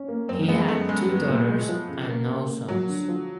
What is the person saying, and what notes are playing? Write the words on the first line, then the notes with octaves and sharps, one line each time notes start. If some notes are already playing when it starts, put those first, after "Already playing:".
He had two daughters and no sons.
Already playing: C#4
A#3
F#2 C4
G#3 B3
F#2 A3
F#2 G#3
B3
A#2
G#3
F3
C#3
A#3
C#3
A#3
F3 F#3
D3
F3